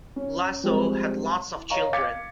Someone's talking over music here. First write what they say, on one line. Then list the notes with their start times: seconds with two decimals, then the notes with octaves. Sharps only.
Iaso had lots of children.
0.16 C#4
0.63 F3 G3 G#3 C4 G4
1.53 E4
1.70 C#5 D#5 F5 A#5 C#6
1.93 F5 D6 G#6 A6 B6 C#7